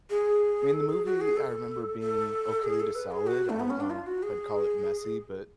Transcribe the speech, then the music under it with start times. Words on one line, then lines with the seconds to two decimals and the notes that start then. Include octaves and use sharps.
I mean, the movie, I remember being okay to solid. I don't know if I'd call it messy, but
0.10 G#4
0.73 A4
0.89 G#4
1.05 F#4
1.21 G#4
1.37 A4
2.00 A4
2.64 G#4
2.80 A4
2.95 B4
3.11 G#4
3.27 F#4
3.50 A3
3.60 B3
3.70 C#4
3.80 D4
3.90 F4
4.07 F#4
4.23 G#4